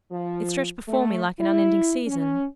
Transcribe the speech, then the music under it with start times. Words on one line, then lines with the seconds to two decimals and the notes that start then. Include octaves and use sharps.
It stretched before me like an unending season.
0.11 F3
0.87 A3
1.39 E4
2.06 C#4